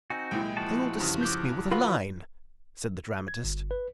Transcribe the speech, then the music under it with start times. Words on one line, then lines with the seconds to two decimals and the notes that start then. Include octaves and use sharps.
"They all dismissed me with a line," said the dramatist.
0.10 C4 D#4 F#4 G#5
0.31 C2 A#2 G#3 E4 G5
0.57 F3 F#4 A5
0.98 E2 G2 C#3
1.21 D6 F#6 G6
1.71 E3 F4 F#4 B4 B5
3.28 G#6
3.44 G1
3.71 B4